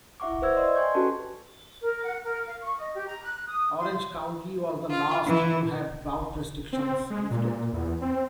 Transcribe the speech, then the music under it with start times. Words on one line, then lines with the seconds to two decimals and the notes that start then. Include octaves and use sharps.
Orange County was the last to have drought restrictions lifted.
0.20 E4 E5 F#5 C#6 D6
0.42 B4 C5 E5 E6 G#6
0.57 D5 D#5 C6
0.75 G5 G#5 C6 C#6 G6 G#6
0.94 C#4 F#4 G4 A4 B4 A5
1.81 A#4
2.04 F#5
2.23 A#4
2.46 F5
2.61 C#6
2.77 D#5
2.94 G4
3.06 A#5
3.24 F#6
3.47 D#6
3.78 C6
4.89 F4
5.25 E3
6.73 C4
7.10 G#3
7.31 A#2
7.73 E2
8.01 C4